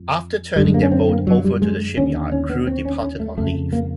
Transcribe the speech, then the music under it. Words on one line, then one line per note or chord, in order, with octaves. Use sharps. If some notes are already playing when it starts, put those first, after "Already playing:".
After turning their boat over to the shipyard, crew departed on leave.
Already playing: F2
F#2 D3 G3
G#3
A#3
C#4
C4
A#3
F#3
G3
G#3
D#2 D3 C#4
C#4
B3
C4
C#4
C#4
A3
F2 C#3 A3
A#3